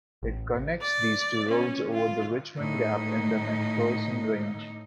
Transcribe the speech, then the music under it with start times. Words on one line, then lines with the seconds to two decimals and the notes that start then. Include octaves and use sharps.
It connects these two roads over the Richmond Gap in the McPherson Range.
0.23 A1
0.82 D5
1.48 C#4
1.93 F4
2.57 A2 D#4